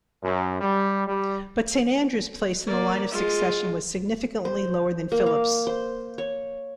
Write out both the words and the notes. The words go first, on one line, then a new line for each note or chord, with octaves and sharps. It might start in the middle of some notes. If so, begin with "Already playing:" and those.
But Saint Andrews' place in the line of succession was significantly lower than Phillips'.
F#2
G3
G3
A#3 D5
G#3 F4
C5
A#3
F5
C5
C#5